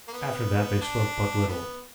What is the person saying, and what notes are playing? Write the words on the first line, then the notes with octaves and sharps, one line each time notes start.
After that they spoke but little.
A#3
B3
D4
B3